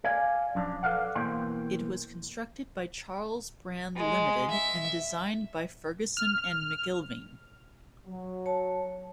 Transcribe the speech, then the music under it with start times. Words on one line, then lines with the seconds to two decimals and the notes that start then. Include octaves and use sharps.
It was constructed by Charles Brand Limited and designed by Ferguson and McIlveen.
0.04 D5 F5 G#5
0.55 F#2 F3 D4
0.83 A4 B4 D5 F5 F#5
1.15 B2 E3 A#3 C5 G5 C6
3.96 G#3
4.50 E5
6.17 F6
8.06 F#3
8.46 C#5 A5